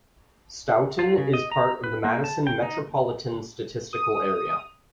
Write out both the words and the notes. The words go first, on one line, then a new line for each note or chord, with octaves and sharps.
Stoughton is part of the Madison Metropolitan Statistical Area.
F4
C#3
D#5
A#5
B4
A#3
A5
G5
D#4
D#6